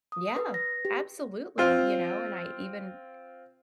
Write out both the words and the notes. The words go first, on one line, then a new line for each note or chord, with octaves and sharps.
Yeah, absolutely, you know? And I even
D#6
B4
A#6
G4
C4 F4